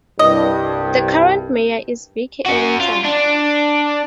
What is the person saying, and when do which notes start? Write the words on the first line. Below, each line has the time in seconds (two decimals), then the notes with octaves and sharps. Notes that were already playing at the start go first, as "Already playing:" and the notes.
The current mayor is Vicki Edington.
0.19 C2 G2 D#5
2.46 C#4 F#4
2.80 F4
3.05 D4